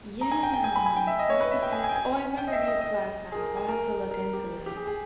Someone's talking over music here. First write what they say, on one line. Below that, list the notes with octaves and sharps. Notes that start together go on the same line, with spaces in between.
yeah, what the heck? Oh, I've never used ClassPass. I'll have to look into it.
A#5
G#5
G5
G5
G#5
B5
G#5
G5
E5
D#5
C#5
B4
E5
G5
G#5
G#5
G5
G#5
G5
D#5
E5
D#5
D#5
G#4
A#4
G#5
A#4
A#4
G4
G4
G#4
G#4